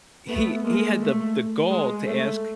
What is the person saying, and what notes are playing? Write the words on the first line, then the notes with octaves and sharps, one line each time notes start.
he he had the the gall to ask
A3 B3
G#3 A#3
A3
G#3
A3